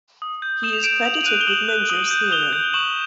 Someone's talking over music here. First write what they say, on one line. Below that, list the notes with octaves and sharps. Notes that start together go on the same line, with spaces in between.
He is credited with Menger's theorem.
D#6
G6
D#6 E7
F7
G6 D7 E7
D#6 F7
F#7
F#6 D#7 F7
G7
D#6 E7 F#7
F#6
D#6
G6
D#6 F7 G7
G6
G7
C#6 E7 F#7